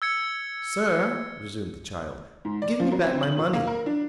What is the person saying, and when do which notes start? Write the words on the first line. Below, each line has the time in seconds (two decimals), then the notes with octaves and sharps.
"Sir," resumed the child, "give me back my money."
0.02 E6 G#6 C#7
2.45 G#2
2.62 D5
2.80 F3
2.92 F#3
3.07 C4
3.23 F#7
3.36 A#2
3.53 A#3
3.67 A#4
3.86 D4